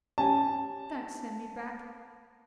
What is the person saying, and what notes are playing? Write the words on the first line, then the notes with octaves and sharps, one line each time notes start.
Don't send me back!
C#4 G4 G#5 A5